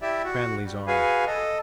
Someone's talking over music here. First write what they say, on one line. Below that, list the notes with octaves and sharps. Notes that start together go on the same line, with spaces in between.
Cranly's arm.
E4 G4 D5 E5
F#4
G3
F#4 G#4 B4 F5 G#5
A4 D#5